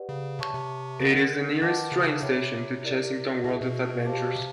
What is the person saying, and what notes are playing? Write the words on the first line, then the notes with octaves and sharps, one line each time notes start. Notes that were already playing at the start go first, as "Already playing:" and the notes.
It is the nearest train station to Chessington World of Adventures.
Already playing: G4 B4 D5 F#5
C#3
C3 C#5 E5 A5 C#6
C3
C#3 A#4 D#5 F#5
D3
D#3 B4 D#5 F#5 A5 D6
C#3
C3 C#5 E5 G5 B5 D6
E4 G4 A#4 D5
B2 E4 G#4 B4 E5
B2
G4 C5 F5 A5 D6
C3